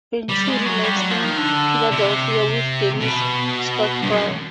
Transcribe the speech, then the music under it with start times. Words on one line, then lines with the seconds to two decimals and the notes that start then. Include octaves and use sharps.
Venturi lives in Philadelphia with Denise Scott Brown.
0.29 G3
0.48 G#3
0.66 F#3
0.83 G3
0.97 F#3
1.11 F3
1.24 D#3
1.38 D3
1.92 C3
3.01 B2
4.02 G2
4.09 F#2